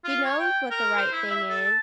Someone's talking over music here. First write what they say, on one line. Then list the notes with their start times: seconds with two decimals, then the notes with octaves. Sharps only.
she knows what the right thing is,
0.04 F4
0.24 C#5
0.39 G5
0.71 A#4
0.97 C5
1.12 E4
1.30 E5
1.50 A4
1.62 A5